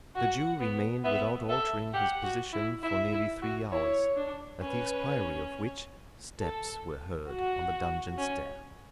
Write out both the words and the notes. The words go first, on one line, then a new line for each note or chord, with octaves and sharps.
The Jew remained, without altering his position, for nearly three hours, at the expiry of which steps were heard on the dungeon stair.
F#4 F#5
B3
B3 E5
A4 E5
G4 F#5
F#4
E4
E4 E5
E4
F#4
E4 C#5
D4
C#4 B4
A4
F#4
C#4